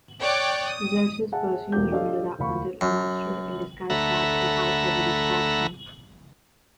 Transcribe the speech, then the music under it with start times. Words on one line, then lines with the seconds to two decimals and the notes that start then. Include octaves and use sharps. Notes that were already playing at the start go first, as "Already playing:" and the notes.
Xerxes pursues Romilda until Amastre-in-disguise starts a fight as a distraction.
0.19 C#5 D5 G5 D6 F#6
0.65 D#6
1.32 G#4 E5 F#5 G#5 A5
1.72 E1 B2 F3 A3 G4 G6
1.91 D4 G4 A4 D#5 F5
2.39 E1 D2 F5 B5 C#6
2.81 F#2
3.90 D2 A3 E5 F#5 A#5 B5